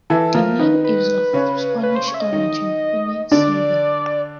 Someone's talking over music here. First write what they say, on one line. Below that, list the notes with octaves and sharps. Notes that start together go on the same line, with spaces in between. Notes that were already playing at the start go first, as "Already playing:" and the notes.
The name is of Spanish origin meaning "Silver".
E3 E4 A4
F3 F4 A#4
D#3 D#4 B4
B4
C#3 C#4
B4
C5
C#5
E5
D#5
D#3 D#4
D3 D4 D5